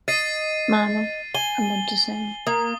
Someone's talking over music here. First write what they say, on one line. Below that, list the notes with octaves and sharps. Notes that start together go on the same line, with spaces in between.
Mama, I Want to Sing!
D#5 A6 C7 D#7
G#5 G7
A#3 D#6